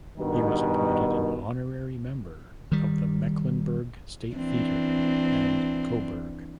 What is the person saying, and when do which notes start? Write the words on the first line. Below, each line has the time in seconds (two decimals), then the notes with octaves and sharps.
He was appointed an honorary member of the Mecklenburg State Theatre and Coburg.
0.19 G2 B2 D#3
2.72 D#3 G3
4.35 E3 C4 D4